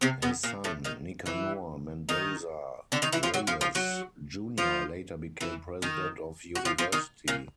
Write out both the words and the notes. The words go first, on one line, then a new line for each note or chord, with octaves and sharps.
His son, Nicanor Mendoza Reyes Junior later became president of University.
C3 C4
B2 B3
A#2 A#3
A2 A3
D#3 D#4
E3 E4
D#3 D#4
D3 D4
D#3 D#4
E3 E4
F3 F4
F#3 F#4
F3 F4
F3 F4
F#3 F#4
F3 F4
E3 E4
D#3 D#4
F#4
F3 F4
F3 F4
D#3 D#4
A#2 A#3